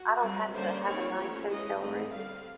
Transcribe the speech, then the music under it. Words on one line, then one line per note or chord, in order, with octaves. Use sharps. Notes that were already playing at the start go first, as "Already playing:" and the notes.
I don't have to have a nice hotel room,
Already playing: F#4
G3 C4
D3 G3 A#3 C#4 C5
D#3 G3 C4 C#5
F3 A3 C#4
E3 G#3 C#4 D#5
E3 A3 C4 D#5
D3 G3 C4 F5